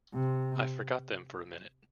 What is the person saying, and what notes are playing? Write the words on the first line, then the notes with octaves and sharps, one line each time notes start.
I forgot them for a minute.
C3